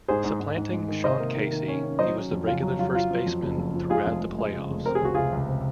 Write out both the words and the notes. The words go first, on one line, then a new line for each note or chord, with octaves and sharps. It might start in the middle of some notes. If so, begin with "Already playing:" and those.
Supplanting Sean Casey, he was the regular first baseman throughout the playoffs.
G#2 G#4 C5
G#2
G#2
G#2
G#3
D#3
C3 C5 D#5
A#3
D#3
D#3
C#4
C#4
F#3 C5 D#5
C#4
F2
C#3 F4
F#3
F#3 F4
F3 F4
F3
F2
F#1
F2
F3
G#3 F4 G#4
F1
F1
G#3
C#3
F1
C4 A#4
G#4
C#2 F#4
C3 F4 G#4
C#2
C3